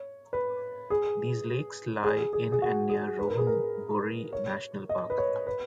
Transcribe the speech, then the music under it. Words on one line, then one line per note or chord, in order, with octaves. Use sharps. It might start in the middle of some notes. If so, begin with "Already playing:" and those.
These lakes lie in and near Rohkunborri National Park.
Already playing: C#5
B4
G#4
G#4
G#4
G#4
F#4
G#4
B4
A#4
G#4
A#4
C#5
D#5
B4
C#5
B4